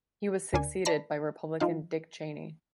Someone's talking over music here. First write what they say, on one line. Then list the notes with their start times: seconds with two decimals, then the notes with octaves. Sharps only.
He was succeeded by Republican Dick Cheney.
0.54 D2 D3 A#4 D5 G#5
0.85 D5 A5 B5 A#6 C7
1.60 F3 D#4 F5